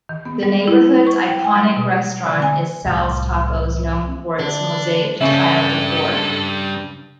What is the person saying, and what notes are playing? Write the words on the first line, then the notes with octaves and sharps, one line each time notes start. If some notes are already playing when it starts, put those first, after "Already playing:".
The neighborhood's iconic restaurant is Sal's Tacos, known for its mosaic tile decor.
D#3
B3
G3
E4
C#6
G5
G#5
G3
B2
D3
G#5
C2 A2
D3 D4
C#3 G3 C#4 D4 A4 E5